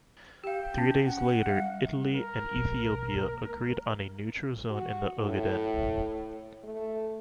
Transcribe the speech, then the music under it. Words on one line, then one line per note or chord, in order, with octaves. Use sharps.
Three days later Italy and Ethiopia agreed on a neutral zone in the Ogaden.
G4 F5 G5
C#4
F#5
G3 F5
A#4
B1
G#3 A#3
F#4
A2
A3